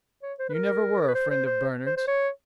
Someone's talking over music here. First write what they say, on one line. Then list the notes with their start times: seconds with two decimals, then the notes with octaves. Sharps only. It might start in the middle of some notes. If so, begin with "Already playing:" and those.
"You never were a friend of Bernard's."
0.23 C#5
0.39 C5
0.49 B4
0.54 A#4
1.01 A#4
1.08 B4
1.15 C5
1.30 C5
1.46 C5
1.86 C5
1.97 C5
2.07 C#5